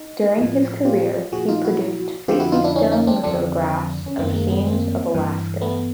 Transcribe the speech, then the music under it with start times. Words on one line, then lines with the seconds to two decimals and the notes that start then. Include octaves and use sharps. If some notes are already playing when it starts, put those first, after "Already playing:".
During his career, he produced fifty stone lithographs of scenes of Alaska.
Already playing: D#4
0.38 A2 F3
0.85 F4 G4
1.32 A#2 F3 F#4 G#4
1.48 D#4 F4
1.64 E4 F#4
2.28 F2 D3 F3 F4 G4
2.40 E4 F#4
2.52 D#4 F4
2.64 D4 E4
2.76 C#4 D#4
2.91 C#4 D#4
3.07 C4 D4
3.23 F2 D3 F3 C4 D4
4.06 C#4
4.18 F#2 D#3 A#3 C4
4.34 G#3 A#3
4.50 A3 B3
4.67 A#3 C4
5.14 G2 E3
5.61 A3 B3